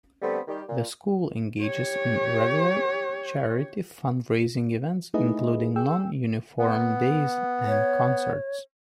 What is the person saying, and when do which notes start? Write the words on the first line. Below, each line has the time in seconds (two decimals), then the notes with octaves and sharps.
The school engages in regular charity fund-raising events, including non-uniform days and concerts.
0.22 D3 G3 A3 B3 C4
0.48 D#3 G3 G4
0.68 A#2
1.62 G4 C#5
5.14 A3 D#4 E4 G#4 B4 D#5
5.76 G#4 G5 E6
6.59 B3
7.68 C#5